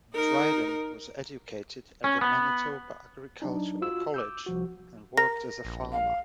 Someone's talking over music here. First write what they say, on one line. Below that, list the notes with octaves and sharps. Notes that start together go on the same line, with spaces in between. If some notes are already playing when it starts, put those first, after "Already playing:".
Dryden was educated at the Manitoba Agricultural College, and worked as a farmer.
D#4 A#4
C#4
B3
F#3 D4 D#4
F4 F#4 E6
D6 E6 G6
C2 F3 F#4
A#4 A#6
A#1
F5